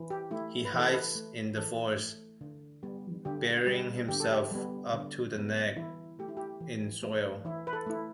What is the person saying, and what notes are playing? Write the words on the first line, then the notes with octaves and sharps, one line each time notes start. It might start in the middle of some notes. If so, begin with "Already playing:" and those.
He hides in the forest, burying himself up to the neck in soil.
Already playing: E3
G4
A3 E4
B4
E3
A4
B4
A3
E3 A4
A3
D3
G3 B3
D3 G4
G3 B3
D3 G4
A4
G4
G3 B3
D3
G3 B3
E3 E4
A3 G4
E4
G4
E3
A3
E3 E4
B4
A4
A3 E4